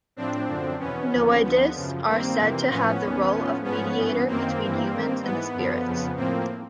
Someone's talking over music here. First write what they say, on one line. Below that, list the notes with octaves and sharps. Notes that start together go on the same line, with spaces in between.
Noaidis are said to have the role of mediator between humans and the spirits.
A2 F3 C4 D4
F#2 D3 F3
E2 B2 B3 C#4
D#2 D3 F3
D#2 D3 F3 B3
F#2 C#3 F3
G2 D#3 A#3 C4
F2 C3 E3
A2 F3 B3 C#4
D#2 D#3
A2 F3
G#2 F3 B3 C#4
G2 E3
F#2 D#3 A#3 C4
G2 E3
G2 D#3
G#2 E3 B3
F#2 D3 F3
F2 C#3 F3
A2 F3 A#3 C4